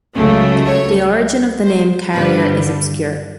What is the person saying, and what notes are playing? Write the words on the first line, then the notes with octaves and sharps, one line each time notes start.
The origin of the name "Carrier" is obscure.
C#2 C#3 F#3 A3
C#5
C5
G2 D3 G3 B4